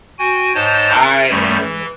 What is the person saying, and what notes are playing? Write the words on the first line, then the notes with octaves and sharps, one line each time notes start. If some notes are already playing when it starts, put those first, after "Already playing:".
I am
F#4 G5 G#5
G#2 C5 C#5 D#5 A5 A6
A#4
F#2 D#3 G3 A3 G#6
E3